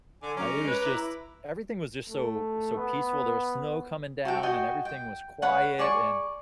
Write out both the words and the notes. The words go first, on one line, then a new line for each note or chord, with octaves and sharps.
uh, it was just everything was just so so peaceful, there was snow coming down and everything was quiet and
D3 G#5 D6
F#3 C#4 A#5 D6
G#3
B4
E4
A3
B3
F#4 A4 G5
F#4 D#5 G5 G#5
G5
B4 C#5 F#5
G#4 D5 G#5 C#6